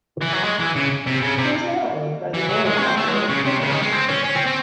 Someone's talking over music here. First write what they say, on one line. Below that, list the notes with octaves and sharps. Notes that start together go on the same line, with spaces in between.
It is now owned by the Royal Library of Copenhagen.
E3
F#3
G#3
E3
C#3
C3
C#3
C3
E3
F#3
G#3
C#4
C4
A3
F#3
G#3
C#3
C3
C#3
D#3
G#3
C4
C#4
C#4
C4
C4